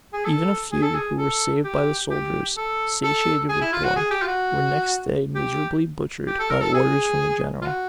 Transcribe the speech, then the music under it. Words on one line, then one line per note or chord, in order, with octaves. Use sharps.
Even a few, who were saved by the soldiers, satiated with blood, were next day miserably butchered by orders from the general.
G#4
A4
G#4
A4
G#4
A4
G4
G4
A4
A4
G#4
E4
F4
F#4
G#4
G4
F4
F#4
G4
G4
A4
A#4
A4
G#4
F4
F#4